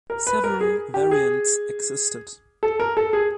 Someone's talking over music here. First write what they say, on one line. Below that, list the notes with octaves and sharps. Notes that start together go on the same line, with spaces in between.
Several variants existed.
A#4
B4
A#4
G#4
G4
G#4
A4
A#4
A4
G#4